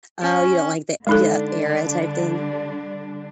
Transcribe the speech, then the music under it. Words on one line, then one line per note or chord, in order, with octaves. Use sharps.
Oh, you don't like the yeah, era type thing?
C#4
D3 G3 G#3 D4 D#4 A4